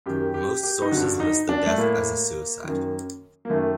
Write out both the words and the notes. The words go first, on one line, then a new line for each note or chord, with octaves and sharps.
Most sources list the death as a suicide.
F#2 D#3 G4
G4
G4
D#4
G2 D3 F#4
D#4
D4
A3
A2 A#3
F#2 D#3
A#3
F#2 D#3 A3